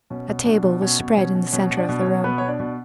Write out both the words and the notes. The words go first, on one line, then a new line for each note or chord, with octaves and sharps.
A table was spread in the centre of the room.
B2 C#4
B2
B2 D4
B2
B2 C#4 C#5
B2
B2 C#4 C#5
B2
B2 C#4 C#5
B2
D4 D5
B2
C#4 C#5
B2
B2 B3 B4
B2 C#5
D4 D5
B2